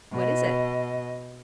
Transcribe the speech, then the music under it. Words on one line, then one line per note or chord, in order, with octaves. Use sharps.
"What is it?"
B2 D#5